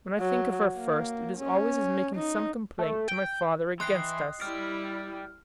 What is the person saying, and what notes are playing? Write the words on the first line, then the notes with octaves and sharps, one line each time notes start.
When I think of her first, it is always as making some complaint to my father against us.
F#3
A#3
C#4
D#4
A3
G5
E3 E4 D#5 G5 C6 F#6 C7
G3 E4 G4 D5 F6